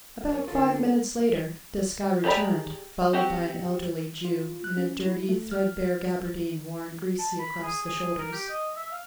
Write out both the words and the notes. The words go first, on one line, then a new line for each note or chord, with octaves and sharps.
About five minutes later, Desgas returned, followed by an elderly Jew, in a dirty, threadbare gaberdine, worn greasy across the shoulders.
D4 A#4 C#5
D3 D4 F4 A4 A#4
G4 G#4 D5 A#5 B5
C4 F#4 G4
F4
F#6
C#4
E4
A3
F6
A5
B5
G#4
G#4
A#4
G4
D#5
E5
F5